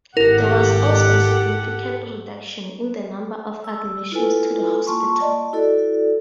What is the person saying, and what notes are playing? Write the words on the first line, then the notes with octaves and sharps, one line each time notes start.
There was also a significant reduction in the number of admissions to the hospital.
G#1 E4 G4 A4 A#4 F#5 A#6
E6
E4 F4 A4 B4 G#5
A#3 F4 A5 C6 C#6
D5 D#5 A5
E4 F#4 A4 D5